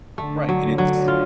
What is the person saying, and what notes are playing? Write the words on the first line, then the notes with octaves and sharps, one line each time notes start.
Right, and it's
D3 A3
F#3
F#3
F4